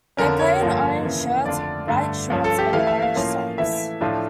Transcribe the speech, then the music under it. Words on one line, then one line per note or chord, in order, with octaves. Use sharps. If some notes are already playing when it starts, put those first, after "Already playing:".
They play in orange shirts, white shorts and orange socks.
F2 D3 F3 C#4 A#4
C#5
G2 D3 F3 A#3
C#3 E3 A#3
F2 D3 A3 D4 F4 D5
G2 D3 A3
G2 F3 C#4
A4
G4
E3 A3 E4 F5
E5
F5
A2 F3 A#3 C#4 F4
E3 A3 E4 E5
A2 F3 A3 D4 F4